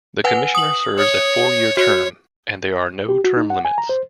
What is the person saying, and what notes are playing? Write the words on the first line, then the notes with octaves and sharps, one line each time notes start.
The commissioner serves a four-year term, and there are no term limits.
B4 F#5 G#5
D#6 F#7
C#5
F#4 C#5
G4
F#4
D#4
F#5
G#5
A#5
C5